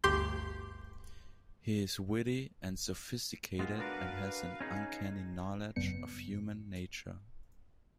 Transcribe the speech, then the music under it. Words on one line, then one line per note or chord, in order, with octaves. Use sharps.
He is witty and sophisticated and has an uncanny knowledge of human nature.
G1 D2 G4 C6 G6
G#3 B3 F4
D4 F#4 A#4 B4 F5
C#4 D#4 G#4
G#1 F#2 C#3 B3 C#7